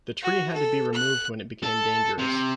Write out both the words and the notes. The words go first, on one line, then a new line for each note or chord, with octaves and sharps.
The tree had to be removed when it became dangerous.
F#4
A4
F#6
A4
C3